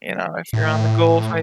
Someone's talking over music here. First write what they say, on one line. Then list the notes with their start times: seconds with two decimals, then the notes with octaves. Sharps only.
You know, if you're on The Gulf,
0.53 A2